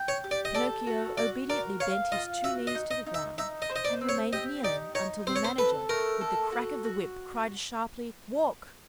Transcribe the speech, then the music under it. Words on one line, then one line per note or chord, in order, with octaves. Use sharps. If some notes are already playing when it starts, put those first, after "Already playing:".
Pinocchio obediently bent his two knees to the ground and remained kneeling until the Manager, with the crack of the whip, cried sharply: "Walk!"
Already playing: G5
C#5
G4
D5
D#5
A4 D5
F#4
F#4 D5
A#4 D5
C#5 F5
F4 D#5
F#4 E5
D#5
D#4
D#5
D#4
E5
D#4 E5
D#5
C5
D#5
D5
C4
C#5
G4 D#5
D#4 D5
D#4 C#5
C4 C5
C#5
C5
A4 B4
A3 A#4
A4
F#4
F#4